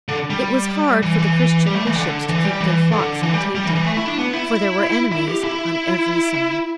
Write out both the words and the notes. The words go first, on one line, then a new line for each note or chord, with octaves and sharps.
It was hard for the Christian bishops to keep their flocks untainted, for there were enemies on every side.
D3
G3
E3
E3
G3
A3
E3
D3
E3
G3
E3
D3
E3
G3
G3
E3
E3
A3
E4
D4
B3
E4
E4
G4
E4